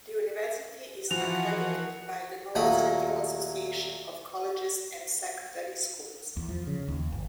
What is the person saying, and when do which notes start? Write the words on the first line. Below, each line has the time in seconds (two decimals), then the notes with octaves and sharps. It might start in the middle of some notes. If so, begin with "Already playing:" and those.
The university is accredited by the North Central Association of Colleges and Secondary Schools.
1.11 E3 F3 F#4 F#5 F7
2.55 D#2 A#2 F#3 A3 B5 D#6
6.37 E2
6.49 F3
6.67 C#3
6.88 D#2
7.12 G1